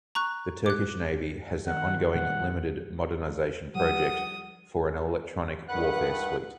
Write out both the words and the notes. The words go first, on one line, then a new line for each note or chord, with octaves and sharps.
The Turkish Navy has an ongoing limited modernization project for an Electronic Warfare Suite.
A#5 C#6 F#6
D6 F#6
D#3 F#5
A#2 D#3 G3 F#5
F3 G3 F#5 D#6
G2 D#3 B4 F#5 F#6